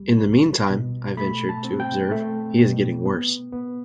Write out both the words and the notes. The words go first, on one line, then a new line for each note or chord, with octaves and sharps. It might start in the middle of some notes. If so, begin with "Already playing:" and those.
"In the meantime," I ventured to observe, "he is getting worse."
Already playing: C2 G3
C2
B2
A3 B5
A5
C4
G5
A3
B2
B3
B3